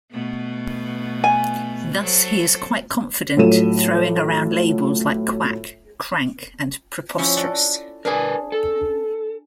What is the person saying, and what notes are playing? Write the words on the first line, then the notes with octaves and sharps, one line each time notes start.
Thus he is quite confident throwing around labels like "quack", "crank" and "preposterous".
B2 A3 B3
G#5
F#3 A4 C5
A2 F#3 F4 A4 D#7 E7
F3 C#4 E4
A4 D5 F#5
D4 G#4 A#4 B4 G#5
A4